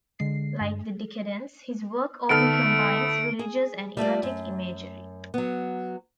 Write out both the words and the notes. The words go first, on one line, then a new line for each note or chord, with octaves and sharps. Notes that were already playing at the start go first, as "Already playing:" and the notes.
Like the Decadents, his work often combines religious and erotic imagery.
D3 G#3 C7
G2
D3 A3 B3 D#4 A4 F6 D7
G#4
G3 A3 F4 D5
F#2
F#3 B3